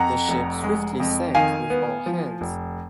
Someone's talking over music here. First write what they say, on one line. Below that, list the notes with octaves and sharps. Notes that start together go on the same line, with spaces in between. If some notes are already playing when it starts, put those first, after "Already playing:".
The ship swiftly sank with all hands.
Already playing: F2 F#5 A#5
F1
G#3
F2
D#3 F5 G#5
B3
F3
F1